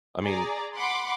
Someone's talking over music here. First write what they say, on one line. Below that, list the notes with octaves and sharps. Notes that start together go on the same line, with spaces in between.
I mean
G#4 D5 A#5
F#5 B5 C6 D6